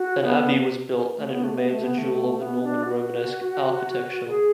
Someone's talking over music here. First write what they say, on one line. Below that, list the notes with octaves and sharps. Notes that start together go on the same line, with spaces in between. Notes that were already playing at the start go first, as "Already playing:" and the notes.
An abbey was built and it remains a jewel of the Norman Romanesque architecture.
Already playing: F#4
B3
A3
B3
A3
B3
A3
B3
A3
B3
D4
F#4
G#4